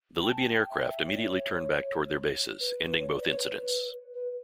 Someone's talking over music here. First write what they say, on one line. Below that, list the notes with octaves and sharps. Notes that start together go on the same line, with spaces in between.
The Libyan aircraft immediately turned back toward their bases, ending both incidents.
G5
A5
G5
E5
E5
C#5
D5
C#5
B4
B4
C#5
D5
B4
C#5
B4
B4